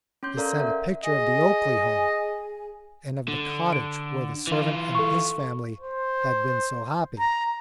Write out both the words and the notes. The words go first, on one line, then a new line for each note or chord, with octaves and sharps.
He sent a picture of the Oakley home and of the cottage where the servant and his family had been so happy.
C#4 C6 G6
C#4 A4 A#4 D5 F5 A#5
A#4 E5 F#5
G#4 D#5 G#5
D3
D7
E3 F4
A4 C#6
C5
A#5